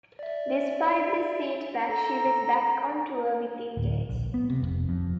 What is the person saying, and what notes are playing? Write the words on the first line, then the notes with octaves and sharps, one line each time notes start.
Despite this setback, she was back on tour within days.
D5 E5
A4 A#5 A#6
D1
A#1
B3
C3
F1
F2